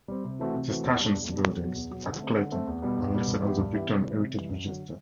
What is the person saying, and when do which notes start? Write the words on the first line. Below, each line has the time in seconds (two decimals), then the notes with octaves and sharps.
The stations buildings at Clayton are listed on the Victorian Heritage Register.
0.08 G3 C4
0.24 C3
0.40 E3 A3 C4 F#4
0.54 C3
0.70 E3 A3 C4 F#4
0.84 E2
1.00 B2 G3 D4
1.15 E2
1.30 B2 G3 D4
1.46 E2
1.60 B2 F#3
1.75 E2
1.91 B2 F#3
2.06 D3
2.21 A3 C4
2.36 D3
2.51 A3 C4
2.67 E2
2.82 B2 G3 B3
2.97 E2
3.12 B2 G3 B3
3.27 G2
3.43 E3 B3 E4 G4
3.58 G2
3.74 E3 B3 E4 G4
3.88 C3
4.03 E3 G3
4.19 C3
4.34 E3 G3
4.49 F#2
4.64 D3 F#3